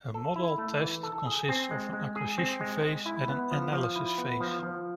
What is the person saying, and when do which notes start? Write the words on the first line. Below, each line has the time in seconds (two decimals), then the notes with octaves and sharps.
A modal test consists of an acquisition phase and an analysis phase.
0.14 A4
0.36 E4
0.58 A3
0.81 E3
1.03 A4
1.26 G#4
1.49 C4
1.71 G#3
1.93 G#3
2.16 G#4
2.38 C4
2.61 G#3
2.83 G#3
3.06 E4
3.28 B3
3.51 F3
3.72 F3
3.96 E4
4.18 B3
4.40 F3
4.63 F3